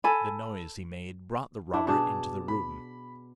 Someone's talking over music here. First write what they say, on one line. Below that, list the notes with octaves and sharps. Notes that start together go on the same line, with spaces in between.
The noise he made brought the robber into the room.
A4 G#5 B5
D4 E4
B2 D4 G#4 A5
B5